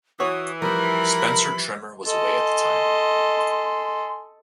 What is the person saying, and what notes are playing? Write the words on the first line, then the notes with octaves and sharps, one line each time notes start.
Spencer Trimmer was away at the time.
E3 F#4 C#5 D#6
F3 G3 A#4 B5
A4 D#5 G#5 C6